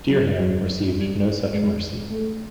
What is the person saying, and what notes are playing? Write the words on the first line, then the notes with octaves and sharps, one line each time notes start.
Dereham received no such mercy.
F#3
F#3
G3
G#3
A3